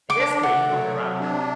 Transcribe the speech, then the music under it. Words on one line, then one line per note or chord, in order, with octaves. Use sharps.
It is green on the route map.
D6
D4
A3 F#5
F#3
C3
D4